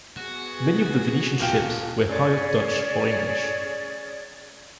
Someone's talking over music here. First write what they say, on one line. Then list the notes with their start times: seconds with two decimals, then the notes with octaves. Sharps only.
Many of the Venetian ships were hired Dutch or English.
0.17 B3 F#4 G#4
1.39 D#1 F4 G5
2.07 C#4 G#4 C#5 D5